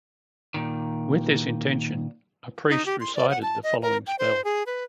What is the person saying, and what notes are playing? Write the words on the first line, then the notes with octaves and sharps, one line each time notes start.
With this intention, a priest recited the following spell.
A#2 D#3
D#4
G4
C6
D5
F#5
A5
D#5
A#4
G5
C5
G#4
B4